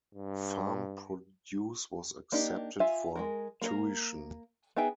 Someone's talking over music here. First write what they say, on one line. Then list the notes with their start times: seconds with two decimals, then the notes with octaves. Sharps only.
Farm produce was accepted for tuition.
0.15 G2
2.32 A#3 D4 D#4 G4
2.80 F4 E5 G#5
3.15 G#3 A3 A#4
3.62 A#3 A#4 A#5
4.76 B3 D#4 G#4 E5 G5